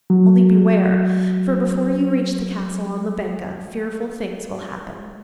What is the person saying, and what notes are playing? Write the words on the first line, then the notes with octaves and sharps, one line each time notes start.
Only, beware; for before you reach the castle on the Banka fearful things will happen.'
F#3